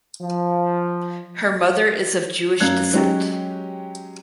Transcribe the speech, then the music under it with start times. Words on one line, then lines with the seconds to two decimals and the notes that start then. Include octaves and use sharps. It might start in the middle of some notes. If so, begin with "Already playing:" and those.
Her mother is of Jewish descent.
0.22 F3
2.60 F#2 F5 F#6 G#6
2.94 F#3 G#3 C#4 G4